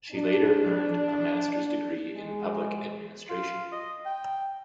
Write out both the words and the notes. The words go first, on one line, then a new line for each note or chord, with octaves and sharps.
She later earned a master's degree in public administration.
D4
G#3
F4
D#5
G5